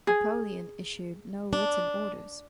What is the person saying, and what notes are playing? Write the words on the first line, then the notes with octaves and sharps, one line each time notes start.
Napoleon issued no written orders.
G#4
D4